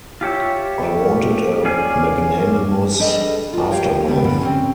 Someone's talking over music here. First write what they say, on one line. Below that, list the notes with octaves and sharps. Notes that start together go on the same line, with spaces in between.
I wanted a magnanimous aftermath.
F4 G4 C#5 E5
C#4 G#4 D5 F5 G#5
G3 D4 G#4 A4 B4 D#5
F4 F#4
G4 C#5 F5
G3 G#3 B3 D4 G4
A2 D3 G3 B3 D4
C4 C#4